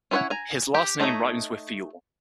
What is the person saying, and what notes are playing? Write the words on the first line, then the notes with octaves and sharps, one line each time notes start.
His last name rhymes with "fuel".
C#4 E4 C5 C#5 F#5
G#5 A#5
G4
A3 D#4 C#5 D#5 E5